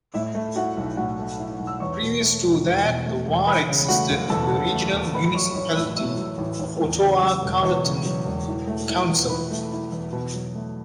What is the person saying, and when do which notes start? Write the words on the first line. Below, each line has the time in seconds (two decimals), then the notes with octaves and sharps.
Previous to that, the ward existed in the Regional Municipality of Ottawa-Carleton Council.
0.14 A2 E4 E5
0.35 A3
0.56 E4 F#4 F#5
0.77 B1
0.97 A2 F#4 F#5
1.19 A3
1.39 E4
1.60 B1
1.67 E6
1.80 E2 C#5 C#6
2.02 B2
2.22 A3
2.43 E1
2.65 E2
2.85 B2
3.06 A3
3.26 E1
3.47 E2 B4 B5
3.68 C#3
3.88 A3 F#4 F#5
4.10 F#1
4.30 E2 A4 A5
4.52 C#3
4.72 A3
4.93 F#1
5.14 A2 B4 B5
5.25 B5
5.34 F#3 C#5 C#6
5.55 A1 C#5 C#6
5.76 A1 E5 E6
5.96 A2 E5 E6
6.18 F#3
6.38 A1
6.59 A1
6.81 E2
7.02 C#3
7.21 F#3
7.42 E1
7.63 E2 C#5 C#6
7.85 C#3
8.05 F#3
8.25 E1
8.47 E3
8.67 A3
8.89 E4
9.10 E2
9.29 E3 B4 B5
9.51 A3
9.72 E4
9.92 E2
10.13 B2
10.34 F#3
10.55 A3